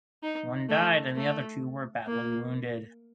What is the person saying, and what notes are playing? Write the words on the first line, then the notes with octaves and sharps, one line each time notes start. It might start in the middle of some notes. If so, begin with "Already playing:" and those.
One died and the other two were badly wounded.
D#4
A3
A3
A#3